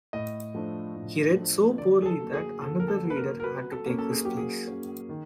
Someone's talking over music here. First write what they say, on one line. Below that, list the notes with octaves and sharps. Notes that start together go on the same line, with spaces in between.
He read so poorly that another reader had to take his place.
A2 D#5
F3 A3 D4
A2
F3 A3 D4
D3 D5
G#4
A4
F#3 A#3
G#4
D3 A4
A#4
A4
F#3 A#3
B4
A#4
A#4
F#3 B4
A4
A#3 C#4
A4
G#4
F#3 G4
G#4
A#3 C#4
D#3